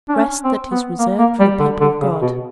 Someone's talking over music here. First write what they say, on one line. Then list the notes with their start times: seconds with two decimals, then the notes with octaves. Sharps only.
"Rest that is reserved for the people of God."
0.09 D4
0.16 C#4
0.44 C4
0.71 B3
0.99 A#3
1.18 A#3
1.40 G3
1.60 D3
1.80 D3
2.01 C#3
2.22 B2